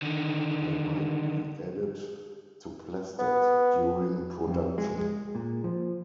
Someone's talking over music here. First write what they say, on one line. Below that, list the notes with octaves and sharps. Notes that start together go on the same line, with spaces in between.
They might be added to plastics during production.
D3 D#3
B3
F2
G#3
G#3
A#2
F3